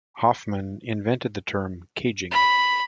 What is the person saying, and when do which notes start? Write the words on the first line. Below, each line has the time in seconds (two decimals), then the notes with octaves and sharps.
Hoffman invented the term "caging".
2.31 B5